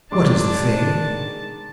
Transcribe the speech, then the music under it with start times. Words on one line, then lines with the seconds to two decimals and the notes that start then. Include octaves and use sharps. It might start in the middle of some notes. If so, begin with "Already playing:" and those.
"What is the thing?"
0.12 D#3 G#3 D4 A5 C6 D6